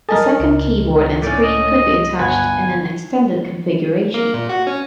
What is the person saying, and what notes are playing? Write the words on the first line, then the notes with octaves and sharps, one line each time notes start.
A second keyboard and screen could be attached in an extended configuration.
A4 A#4 D#5 G#5 A5 D#6
C#2
A2 C#4 D5
D#5
G1 B4 F#5 G#5
A#3
A#2
F#4
C#4